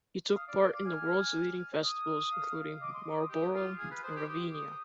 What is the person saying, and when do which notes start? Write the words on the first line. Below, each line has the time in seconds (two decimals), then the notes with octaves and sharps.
He took part in the world's leading festivals, including Marlboro and Ravinia.
0.35 F5 D#6
0.48 D5 F6
0.60 D5
0.73 F5 D6
0.85 G#5 F6
1.83 D#6
2.32 F5
2.81 D#5 D6
2.93 C6
3.06 D6
3.18 D#6
3.30 G4 D#6
3.55 F4
3.79 G#4 F6
3.91 B4
4.03 C5 D#6
4.16 G4
4.28 G4 D#6
4.53 D#6